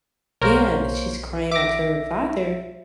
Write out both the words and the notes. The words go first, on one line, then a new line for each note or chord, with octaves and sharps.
yeah, that she's crying out to her father
B1 A#3 A#4 C5 C#5
E5 D6 A#6